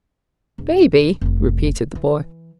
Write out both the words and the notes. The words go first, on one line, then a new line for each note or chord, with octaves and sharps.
"Baby!" repeated the boy.
E1
F1 C2
E3